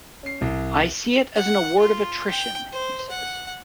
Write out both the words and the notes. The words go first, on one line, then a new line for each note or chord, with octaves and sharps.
"I see it as an award of attrition," he says.
C#4 C7
C2
F#5
F4
G5
C5
F#5